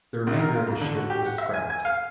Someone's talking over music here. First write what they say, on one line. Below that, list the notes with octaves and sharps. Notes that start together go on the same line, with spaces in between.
The remainder of the ship was scrapped.
A#1
A#4
F4
F2
D3
F#4
G4
F#5
E5
G#5
G#5
F5